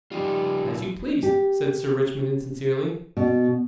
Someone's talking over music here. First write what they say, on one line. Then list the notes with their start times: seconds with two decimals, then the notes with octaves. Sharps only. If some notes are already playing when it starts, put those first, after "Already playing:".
"As you please," said Sir Richmond insincerely.
0.12 F3 G3 D#4 F4
1.23 G4
3.17 B2